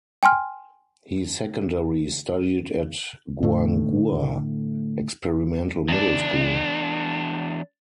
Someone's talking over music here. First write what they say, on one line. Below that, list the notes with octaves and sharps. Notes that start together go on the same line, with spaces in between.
He secondary studied at Guanghua Experimental Middle School.
G5 G#5 C6 F6
A2 D3 A3
E2 D4